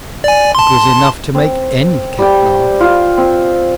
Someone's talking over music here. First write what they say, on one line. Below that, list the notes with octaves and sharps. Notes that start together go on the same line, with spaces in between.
It was enough to make any cat laugh.
D5 G#5
A5 C6
C4
G3 G5
F4
C4